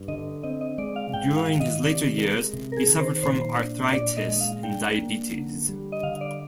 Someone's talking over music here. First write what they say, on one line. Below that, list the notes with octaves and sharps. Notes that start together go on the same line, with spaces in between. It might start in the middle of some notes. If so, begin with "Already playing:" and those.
During his later years, he suffered from arthritis and diabetes.
Already playing: G2
D3 D#5
C4 D#5
D#5
G#3 D5
F5
G#2 G5
F5
D#3
D#5
C3 D5
G#3 A#4
C3
A#4
G#4
D#3
A#4
C5
A#2 C5
D4
A#2 D5
D#5
G#3
F5
D4 G5
A#3
D3
G3
D#5
D3 F5
D5